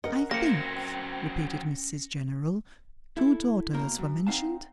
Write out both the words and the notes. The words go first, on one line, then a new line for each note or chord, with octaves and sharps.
'I think,' repeated Mrs General, 'two daughters were mentioned?'
C#4 A#4 D#5 F#5
F#3 A#3 C4 A#6 C#7
E4 A4
B2 A#3 A#4
F#2
C4 D#4 F5 F#5 A5